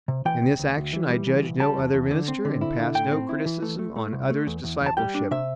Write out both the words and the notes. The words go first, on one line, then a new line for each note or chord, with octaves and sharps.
In this action I judge no other minister and pass no criticism on others' discipleship.
C3
E3 G5
D2
D2
D2
E3
G3
E3
C2
G3 A5
E2
E2
D3
C4
D3
E4
D3
A2 G5
C4
E4
E3
A3
A3
A3
C2
A3
E2
E2
E2
A5
G3 G5
D4
C3 E5